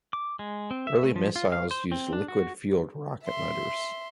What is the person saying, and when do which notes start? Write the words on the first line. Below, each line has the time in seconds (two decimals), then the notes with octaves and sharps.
Early missiles used liquid-fueled rocket motors.
0.13 D6
0.39 G#3
0.71 C4
0.87 E5
1.03 A3
1.16 F3
1.36 F4
1.52 F5
1.71 C5
1.92 C4
2.13 D4
2.28 F#4
3.25 E5 C6